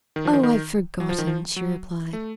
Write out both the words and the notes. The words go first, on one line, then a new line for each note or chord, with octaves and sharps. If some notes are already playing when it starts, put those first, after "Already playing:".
"Oh, I've forgotten..." she replied.
D#3
F3
D#3
D#3
F#3
F3
D#3
F3
F#3
A3